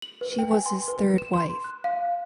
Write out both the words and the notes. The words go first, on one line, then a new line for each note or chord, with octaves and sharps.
She was his third wife.
F#7
B4
G5
G#5
C6
B4
E7
C6
F#6
F5